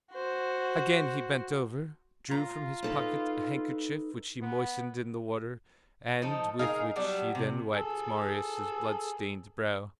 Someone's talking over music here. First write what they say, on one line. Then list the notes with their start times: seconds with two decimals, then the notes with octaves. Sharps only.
Again he bent over, drew from his pocket a handkerchief which he moistened in the water and with which he then wiped Marius' blood-stained brow.
0.12 F#4 C5
2.31 F4 A#5
2.83 D#4 A4 B4
4.42 B3
6.22 F3 D#4 A4
6.59 D#4 G#4 A#4 F5
6.96 F#3 G3 B3 D4
7.35 C3
7.72 G#4 A4 E6